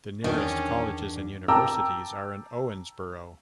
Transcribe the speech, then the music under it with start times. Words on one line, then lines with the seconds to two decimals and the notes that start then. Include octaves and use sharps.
The nearest colleges and universities are in Owensboro.
0.24 E2 D#3 C#4 D4
1.48 G5 A5 A#5 D6 E6